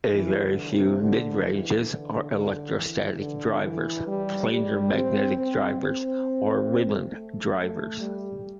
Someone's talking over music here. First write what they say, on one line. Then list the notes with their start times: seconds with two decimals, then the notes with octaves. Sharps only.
A very few mid-ranges are electrostatic drivers, planar magnetic drivers, or ribbon drivers.
0.14 E3
0.43 D3
0.72 C3
1.01 D3
1.45 E3
1.89 D3
2.32 D3
2.76 E3
3.19 D3
3.63 E3
4.07 G3
4.51 G3
4.94 C4
5.38 C4
5.81 C4
7.13 A3
7.56 A3
8.00 G3